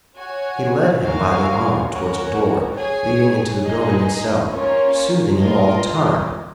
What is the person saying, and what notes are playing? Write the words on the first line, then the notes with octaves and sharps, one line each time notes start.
He led him by the arm towards a door leading into the building itself, soothing him all the time.
F#4 C#5 G#5
F#4 A#4 F5 G#5
C#4 F#4 A#4
G#4 C#5 G#5
D#4 G#4 D#5
A#3 C#4 F4 A#4 C#5
F4 A#4 D#5